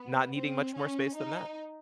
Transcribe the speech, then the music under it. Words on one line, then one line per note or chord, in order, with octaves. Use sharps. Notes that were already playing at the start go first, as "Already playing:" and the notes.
not needing much more space than that.
Already playing: B3
C4
C#4
D#4